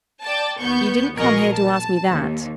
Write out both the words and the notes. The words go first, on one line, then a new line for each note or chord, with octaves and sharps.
You didn't come here to ask me that.'
D5 G5 A5
D#2 B3 C#6 G6
A#1 B2 G#4 A#4 D#5 C#6
A5
D#2